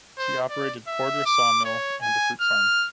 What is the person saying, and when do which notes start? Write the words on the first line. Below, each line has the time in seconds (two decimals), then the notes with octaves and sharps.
He operated Porter Sawmill and a fruit farm.
0.18 C5
0.50 D5
0.88 E5
1.26 D6
1.65 C#5
2.02 G#5
2.41 F6